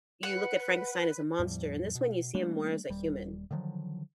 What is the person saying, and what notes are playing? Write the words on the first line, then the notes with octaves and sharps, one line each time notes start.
you look at Frankenstein as a monster, in this one, you see him more as a human.
B4 F#5
E2 A2 F3 G3
B2
G3 A3 A#3 D4
D#1 G3
D3 D#3 F3 F#3